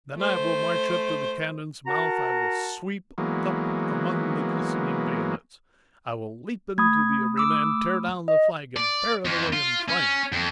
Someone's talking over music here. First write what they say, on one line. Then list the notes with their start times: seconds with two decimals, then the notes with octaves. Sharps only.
Then I will march up to the cannon's mouth; I will sweep up among the glistening bayonets; I will leap into the arena and tear down the flag and bear it away in triumph.
0.17 A3 C5
1.87 F#4 A#4 F#5 A5 A#5
3.18 E3 F#3 G#3 A#3 B3
6.78 A3 B5 D#6 G#6
7.38 D6 E6
8.28 D#5
8.76 D5
9.25 F2
9.53 F4
9.89 C#4
10.33 F2